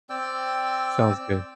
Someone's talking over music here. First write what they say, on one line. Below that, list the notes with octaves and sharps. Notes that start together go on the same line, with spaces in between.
Sounds good.
C4 D5 G5 E6